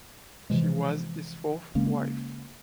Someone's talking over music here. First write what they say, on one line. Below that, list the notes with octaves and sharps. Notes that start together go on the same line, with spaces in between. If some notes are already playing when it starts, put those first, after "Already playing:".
She was his fourth wife.
C3 E3 F3 G#3
C#3 G#3 A#3 C#4